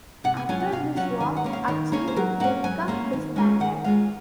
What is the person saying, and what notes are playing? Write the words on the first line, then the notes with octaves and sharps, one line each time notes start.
After this was achieved Redgum disbanded.
C3 F#5
G#5
F#3 C#4 F4 G#5
F#5
C3 F5
F#3 C#4 F4 F#5
D#3 G#5
F#5
A#3 C#4
F5
D#3 C#5
A#3 C#4 C#5
C5
F#3 A#4
A#3 C#4 F#5
F#3 G#5
A#3 C#4
D#3
G#3 C#4 F4
D#3 F#5
G#3 C#4 F4 F5